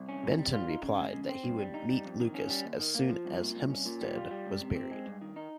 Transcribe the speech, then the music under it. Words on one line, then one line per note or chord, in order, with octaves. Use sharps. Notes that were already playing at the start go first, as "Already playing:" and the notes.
Benton replied that he would meet Lucas as soon as Hempstead was buried.
Already playing: C2
C#4
C3
G3
F4
D#4
C#3
G#3
C#3
C4
G2
G3
D#4
G3
F2
D#3
C#4
G3
D#2
D#3
A#3
F3
C2
A#2
C2
C#4
A#2
G3
F4
G3
C#2
C3
C4
G#3
G2
D#3
D#4